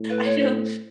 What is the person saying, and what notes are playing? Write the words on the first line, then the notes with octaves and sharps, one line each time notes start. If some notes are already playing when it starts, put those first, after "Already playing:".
I don't,
Already playing: A2
B4
C#5
C5